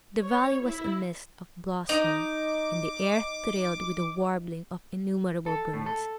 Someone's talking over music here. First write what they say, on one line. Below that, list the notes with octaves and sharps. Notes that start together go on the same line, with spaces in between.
The valley was a mist of blossom, and the air thrilled with the warbling of innumerable birds.
C#5
E4
D#4 D6
A4
A2
A4